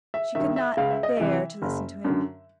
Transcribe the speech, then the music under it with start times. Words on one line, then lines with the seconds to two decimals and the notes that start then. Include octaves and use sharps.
She could not bear to listen to him.
0.14 E5
0.35 G2 D#3 E5
0.56 E5
0.77 C#2 F5
0.91 E5
1.03 D#5
1.17 C3 E3 E5
1.62 F#1
2.04 F#2 D3